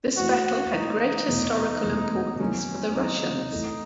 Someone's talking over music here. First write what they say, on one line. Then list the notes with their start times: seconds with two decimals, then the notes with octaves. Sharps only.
This battle had great historical importance for the Russians.
0.17 E3 A3 E4 F#4
0.73 E3 A3 D#4 E4
1.28 E2 B2 A3
1.84 E2 B2 A3
2.39 D#3 F#3 B3 C#4 E4
2.95 D#3 F#3 B3 D#4 E4
3.51 E3 A3 E4 A4 D#5